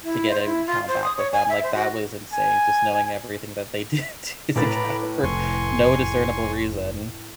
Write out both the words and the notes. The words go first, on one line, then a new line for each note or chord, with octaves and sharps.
to get an account back with them. Like, that was insane, just knowing everything that they did to his account for no discernible reason.
E4
C5
E4
F4
C5
D#6
C#5
G#5
E5
C5
F#4
G#5
A2 B4 A#5 B5 D6 A6
F1 G#5 C6 C#6